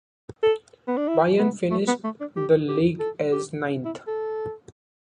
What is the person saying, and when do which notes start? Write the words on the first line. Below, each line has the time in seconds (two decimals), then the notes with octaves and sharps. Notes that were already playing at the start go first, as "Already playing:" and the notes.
Bayern finished the league as ninth.
0.43 A4
0.88 B3
0.97 D4
1.08 E4
1.39 B3
1.71 A3
1.88 B3
2.04 A3
2.20 D4
2.36 G4
2.68 G4
3.00 A4
3.32 G4
3.85 E4
4.07 A4